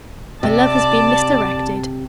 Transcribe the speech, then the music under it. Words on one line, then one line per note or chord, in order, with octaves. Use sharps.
My love has been misdirected.
C3 D5 A5